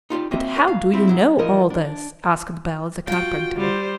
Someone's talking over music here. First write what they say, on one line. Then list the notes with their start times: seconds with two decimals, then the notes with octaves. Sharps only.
"But how do you know all this?" asked Bell, the carpenter.
0.10 D#4 F4 G4 D5
0.31 A#3 C4 F#4 C5 D#5 E5
0.56 A#4 C#5 F5 G#5
0.68 F5
0.93 C4 E4 F4 G4
1.08 F#2 F#3 E4
1.38 E3 F3 A#4 D#5
1.70 D4
3.08 F4 F#4 G5
3.57 G3 C5